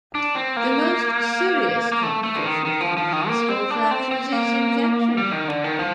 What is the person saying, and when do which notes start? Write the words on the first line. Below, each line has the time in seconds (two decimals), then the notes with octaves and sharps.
The most serious complication of compound skull fractures is infection.
0.15 D4
0.35 C4
0.57 A#3
1.92 A#3
2.03 A3
2.23 A3
2.36 D3
2.44 D#3
2.65 D#3
2.81 F3
2.97 F3
3.13 D#3
3.28 A#3
3.49 C4
3.70 D4
3.91 C4
4.11 C4
4.32 A#3
5.17 G3
5.32 D#3
5.48 D3
5.64 D#3
5.79 F3